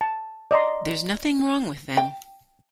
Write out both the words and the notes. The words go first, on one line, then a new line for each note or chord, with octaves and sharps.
There's nothing wrong with them.
A5
D5 D#5 A#5 C6
G5